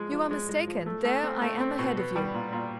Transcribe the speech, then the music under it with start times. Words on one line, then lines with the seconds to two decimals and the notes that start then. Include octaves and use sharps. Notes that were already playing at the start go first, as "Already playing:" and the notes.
"You are mistaken; there I am ahead of you."
Already playing: F3 G#3
0.12 F3
0.31 G#3
0.49 G#3
0.67 F3
0.86 A3
1.05 A3
1.23 C4
1.42 A3
1.60 C4
1.79 B2
1.97 B3
2.16 G3
2.34 A#2
2.52 A#2